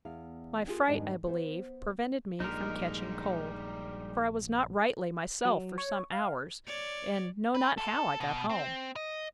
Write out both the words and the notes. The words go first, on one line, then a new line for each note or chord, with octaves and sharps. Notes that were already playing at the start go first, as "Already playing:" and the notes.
My fright, I believe, prevented me from catching cold: for I was not rightly myself for some hours, and know not how I got home.
E2 F5
F4 G4 G#4 A#4 G5
F2 G#2 D#3 G3 D4 G#5
B3 C5
A#1 G2 G3 G#3 D#4 A#4
F#3
C#5
F5
C#5 D5
B4
A4
B2
C4
D#5